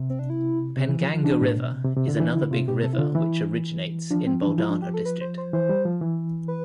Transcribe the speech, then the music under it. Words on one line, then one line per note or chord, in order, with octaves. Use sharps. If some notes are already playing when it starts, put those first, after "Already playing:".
Penganga river is another big river which originates in Buldhana district.
Already playing: C3
C4
D4
E4
C3
E3
F3
F3
E3 D4
A2
B2
C3
C3
C3
D3
E4
E3 D4
D3 E4
C3 F4
B2 G4
C3 A4
E4
D3 F4
E3 E4
F3 D4
C4
D4
E3
F3 E4
D4
G4
A4
B4
C5
C5
E3 C5
G3
F3
E3
B4